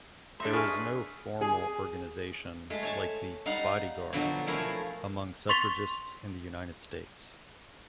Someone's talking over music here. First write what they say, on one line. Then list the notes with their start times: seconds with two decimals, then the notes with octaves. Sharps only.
There was no formal organization like the Bodyguard among suffragists in the United States.
0.40 D4 D#4 E5 C6
0.53 G#4 B4 C#6 F6
1.41 G#4
2.70 G#3 A3
2.83 C#5 G#5 A5
3.46 G3 D#4 F5 F#5
4.13 B2 D3 F3 F#3
4.47 F3 A3 E4 G#4 A#4 C#5
5.49 C6 C#6 A6 B6 F7 G7